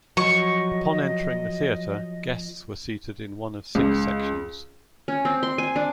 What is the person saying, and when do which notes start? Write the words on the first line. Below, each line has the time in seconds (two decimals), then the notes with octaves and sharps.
Upon entering the theatre, guests were seated in one of six sections.
0.17 F3 F#3 D#5 C#6
3.75 C#2
5.08 C#4
5.25 C4
5.43 C6
5.58 G#5
5.76 D4